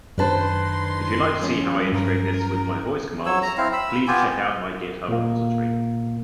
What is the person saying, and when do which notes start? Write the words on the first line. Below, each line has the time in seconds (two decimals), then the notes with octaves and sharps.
If you'd like to see how I integrate this with my voice commands, please check out my GitHub repository.
0.18 F#2 D#3 D4 B4 C5 A5 C6
1.42 F3 C#4
1.92 G2 A#4
3.26 F#3 C#5 E6
3.42 A#5
3.58 C4 E4 F5
3.73 B5 E6
4.08 B3 F4 G4 G#5
5.08 A#2 A#3